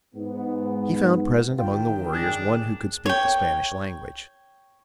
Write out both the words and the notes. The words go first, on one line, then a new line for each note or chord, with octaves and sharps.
He found present among the warriors one who could speak the Spanish language.
G#2 B3
A1 D#3 F4 G5
D4 G#4
C#5 G5